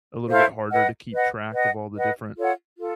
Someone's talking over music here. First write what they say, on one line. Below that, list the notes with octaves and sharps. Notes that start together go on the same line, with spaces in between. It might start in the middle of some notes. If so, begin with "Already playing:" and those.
a little bit harder to keep track of all the different
E4 A4 C5 F5
B4 D#5 F#5
B4 D#5 F#5
B4 D#5 F#5
B4 D#5 F#5
F4 A4 C#5 F#5
F4 A4